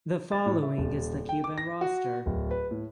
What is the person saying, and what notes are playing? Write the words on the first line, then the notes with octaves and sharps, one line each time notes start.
The following is the Cuban roster.
A6
A2
E5
D#1
G5
D6
A#6
F#4
D1
B4
A2